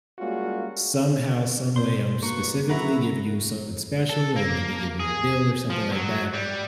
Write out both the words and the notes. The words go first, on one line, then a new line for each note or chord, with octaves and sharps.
"Somehow, someway I'm specifically giving you something special, or maybe giving you a deal, or something like that,
G3 G#3 A#3 C#4 F4 F#4
B2 C5 D5 C6
A#3 D4 F#4 B4 A#5 C#6
F#3 E4 B4 E5 F#5 A#5 B5 C#6
A4
A#3
G#4
F3
F#3
G3